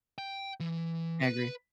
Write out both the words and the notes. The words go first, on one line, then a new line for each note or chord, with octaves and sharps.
I agree.
G5
E3
B4